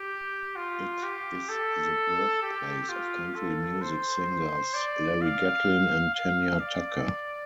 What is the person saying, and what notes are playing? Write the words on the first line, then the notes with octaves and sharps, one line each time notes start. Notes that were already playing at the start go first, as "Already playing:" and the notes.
It is the birthplace of country music singers Larry Gatlin and Tanya Tucker.
Already playing: G4
F4
G4
A4
G4
F4
A4
C5
D5
F5
F5
D5